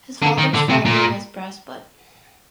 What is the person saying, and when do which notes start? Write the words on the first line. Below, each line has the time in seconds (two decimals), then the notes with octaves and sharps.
His father's father was a Brass Butt.
0.22 D3
0.38 D#3
0.54 D3
0.69 C3
0.85 A#2